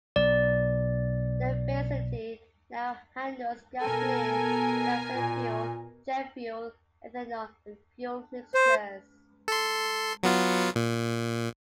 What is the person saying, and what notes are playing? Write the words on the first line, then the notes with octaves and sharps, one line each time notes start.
The facility now handles gasoline, diesel fuel, jet fuel, ethanol, and fuel mixtures.
B1 D5
B2 A4 A#4 G#5
A#2
C5
A4 C6
F#3 B3 F4
A#2